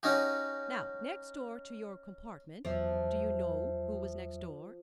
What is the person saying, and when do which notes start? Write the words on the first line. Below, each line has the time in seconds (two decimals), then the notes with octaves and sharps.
Now next door to your compartment--do you know who was next door?
0.03 C#4 D#4 F#4 G4
2.65 E2 F3 F#3 E5